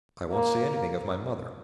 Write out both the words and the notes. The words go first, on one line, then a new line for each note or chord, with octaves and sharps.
I won't say anything of my mother!
A#3